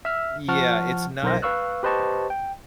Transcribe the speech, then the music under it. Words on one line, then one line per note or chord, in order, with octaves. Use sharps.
Yeah, it's not
E5 E6 F6
F3 F#5 A5 C#6 F6
B1 A#4 C5 A#6
B4 F5 C#6 E6 F#6
G4 B4 C5 D#5 A5 C#6
G5